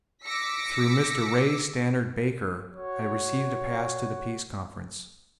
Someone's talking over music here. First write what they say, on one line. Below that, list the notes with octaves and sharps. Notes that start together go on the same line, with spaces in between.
Through Mr. Ray Stannard Baker I received a pass to the Peace Conference.
D6 E6 A#6 B6 C#7
F#4 C#5